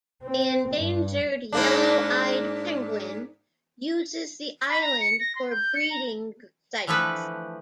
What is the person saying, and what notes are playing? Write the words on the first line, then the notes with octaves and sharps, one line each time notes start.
The endangered yellow-eyed penguin uses the island for breeding sites.
C4
G2
G#2 A#3 D4
B5
A#5
C#7
A#6
C6
G6
C#7
A#5
D3 E3 F3 A3 E4 B4